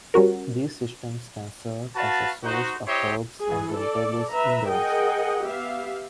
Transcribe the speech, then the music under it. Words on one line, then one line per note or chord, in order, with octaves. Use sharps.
These systems can serve as a source of herbs and vegetables indoors.
G3 C#4 F#4 A#4
F#4 B4 F5 A5
D#4 F#4 C5
E4 G4 C5 C#5 D#5 E5
E3 G#4
A4 D5
B4 E5 A#5
G#4 A#4 D#5 F#5 G5
B3 G4 E5 F5